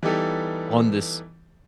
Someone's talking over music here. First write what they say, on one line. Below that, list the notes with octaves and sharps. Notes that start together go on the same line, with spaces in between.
on this,
E3 G3 B3 D#4 G4 A4